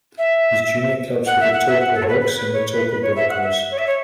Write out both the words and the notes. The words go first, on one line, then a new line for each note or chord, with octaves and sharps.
His junior clubs were the Taupo Hawks and Taupo Broncos.
E5
F#5
E5
F#5
E5
F#5
A4
C#5
B4
B4
B4
C#5
B4
B4
C#5
E5
F#5
E5
C#5
E5
C#5